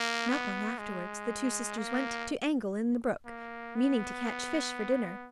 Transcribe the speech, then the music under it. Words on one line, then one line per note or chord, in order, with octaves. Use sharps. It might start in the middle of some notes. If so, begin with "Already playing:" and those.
Not long afterwards the two sisters went to angle in the brook, meaning to catch fish for dinner.
Already playing: A#3
B3
G#3
A#3
A#3
B3